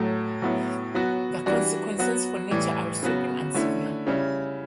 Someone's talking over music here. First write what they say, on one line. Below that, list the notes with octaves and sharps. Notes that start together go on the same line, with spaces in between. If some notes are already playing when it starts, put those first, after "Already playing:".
The consequences for nature are sweeping and severe.
Already playing: A2 F#3 A3
A2 F#3 B3 E4
F#3 B3 F#4
E3 G3 D4 F#4
F#3 B3 F#4
A2 E3 G3
C#3 F#3 B3 F#4
D3 A3 C#4 E4
C#3 G3 C#4 E4